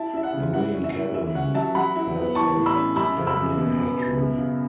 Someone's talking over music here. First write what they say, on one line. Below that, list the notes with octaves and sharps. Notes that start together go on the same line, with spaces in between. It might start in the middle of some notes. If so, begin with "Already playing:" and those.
The main cabin has of standing headroom.
Already playing: E4 E5 A5
E4 E5
F#5
C#3
E4 F#5
C#4
E5
E4
E4 E5
C#4 F#5
F#3 E5 A5
F#3 F#5 B5
E4
B3
E3 A5 C#6
A2
B5 E6
C#4
F#2 B5 E6
C#3
B5 E6
F#2
B2
B3
B2
F#2
C#3